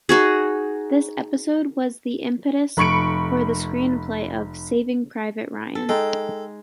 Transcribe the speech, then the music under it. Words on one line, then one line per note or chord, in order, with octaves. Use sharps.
This episode was the impetus for the screenplay of "Saving Private Ryan".
D#4 F#4 G#4
F1 B5 C#6 C#7 D7
A4
G#3 D#4 A4 G5